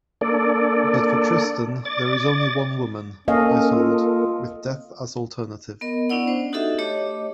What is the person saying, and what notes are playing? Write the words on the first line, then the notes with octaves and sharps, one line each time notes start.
But for Tristan there is only one woman, Isolde, with Death as alternative.
A#3 D4 A4 D5
D5 A6
A#3 C#4 A4 D#5 F5
F4
B3 A#4 D#5
B3 C#4 D4 E4 D5 F#5
D4 C5
D#4 F#4 G4 A4 D#5 E5
A3 G4 C#5 D#5 D6